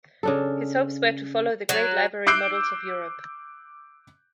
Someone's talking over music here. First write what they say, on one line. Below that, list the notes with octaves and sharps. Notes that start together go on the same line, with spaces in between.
His hopes were to follow the great library models of Europe.
C#3 D4 A4
F#3
D6 E6 F#6 G6 C7 D7